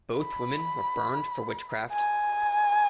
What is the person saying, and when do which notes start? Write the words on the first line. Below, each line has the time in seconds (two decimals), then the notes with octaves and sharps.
Both women were burned for witchcraft.
0.18 B5
1.92 G#5